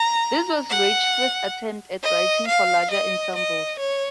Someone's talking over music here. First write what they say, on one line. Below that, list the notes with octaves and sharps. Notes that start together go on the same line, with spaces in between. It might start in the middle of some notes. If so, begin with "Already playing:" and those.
This was Reich's first attempt at writing for larger ensembles.
Already playing: A#5
F#5
D#5
F5
D#5
D#5
C#5